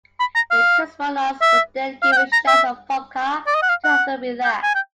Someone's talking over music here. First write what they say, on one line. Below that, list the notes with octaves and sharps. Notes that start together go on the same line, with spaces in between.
The cosmonauts were then given shots of vodka to help them relax.
B5
A#5
F5
E5
F5
G5
F#5
A#5
E5
D5
D#5
F#5
F5
F#5
G5
G#5
G5